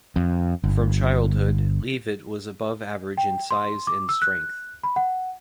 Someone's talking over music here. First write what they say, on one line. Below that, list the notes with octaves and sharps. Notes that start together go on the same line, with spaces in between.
From childhood, Leavitt was above average in size and strength.
F2
G1
G5
C6
D6
E6
F#6
B5
F#5